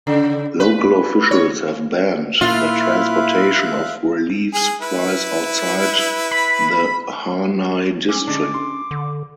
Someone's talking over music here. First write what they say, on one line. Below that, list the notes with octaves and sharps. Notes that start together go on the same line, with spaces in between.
Local officials have banned the transportation of relief supplies outside the Harnai District.
C#3
B4
C#5
A#2 E4 F4 E5 F5 F#6
G#4
E4 B4
B5
C#4 D6
D3 G#3 D4
C6
D3